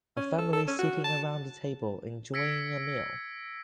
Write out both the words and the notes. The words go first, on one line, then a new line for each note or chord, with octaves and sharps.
A family sitting around a table enjoying a meal.
C#4
A4
A4
C#4
F#4
A5
E6 G#6 A#6 B6 C#7 D7